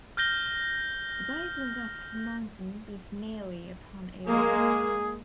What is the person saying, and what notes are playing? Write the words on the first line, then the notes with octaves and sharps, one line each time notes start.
The basement of the mountains is nearly upon a level.
F6 G6 A#6 G7
G#3 A#3 G#4